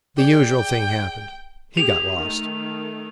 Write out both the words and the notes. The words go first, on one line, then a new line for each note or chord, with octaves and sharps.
The usual thing happened; he got lost.
G4 G#4 D5 G5
G4 G#4 F7
D#3 A3